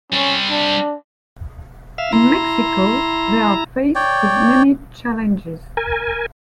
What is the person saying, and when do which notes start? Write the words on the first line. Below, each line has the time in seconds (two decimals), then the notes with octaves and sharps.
In Mexico, they are faced with many challenges.
0.12 G3 C4 C#4
0.50 D4
1.98 E5 F5
2.13 E4 A#5 C6
3.95 C#5 D5 G5
5.77 A#4 G#5